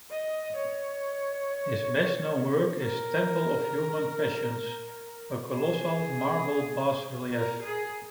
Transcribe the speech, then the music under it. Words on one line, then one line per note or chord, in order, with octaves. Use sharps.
His best known work is "Temple of Human Passions", a colossal marble bas-relief.
D#5
C#5
A#4
G#4
A#4
G#4